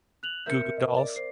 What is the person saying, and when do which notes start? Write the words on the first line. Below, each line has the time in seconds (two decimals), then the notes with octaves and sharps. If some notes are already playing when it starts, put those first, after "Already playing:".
Goo Goo dolls.
0.23 F#6 F7 F#7
0.46 C4 A#4 E5 G6 C#7
0.77 D#5
0.97 D5
1.16 C5 C7